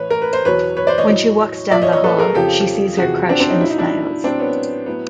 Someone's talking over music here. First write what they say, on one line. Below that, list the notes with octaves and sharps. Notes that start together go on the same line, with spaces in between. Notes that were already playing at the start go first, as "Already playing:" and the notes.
When she walks down the hall, she sees her crush and smiles.
Already playing: A2 E3 B4 C#5
A#4
B4
C5
E2 B2 F#3 B4 C#5
B4 C#5
C5 D5
C#5 D#5
A2 F#3
A#2 F3 D5 E5
C#5 D#5
C#5 D#5
A4 B4
G#4 A#4
F2 C#3 F3 G4 A4
E2 C3 F3 F#4 G#4
C4 D4
C4 D4
C#4 D#4
A#2 F#3 E4
D#4
D4 E4
A2 F#3 C4 D4
B3 C#4
A2 F#3 B3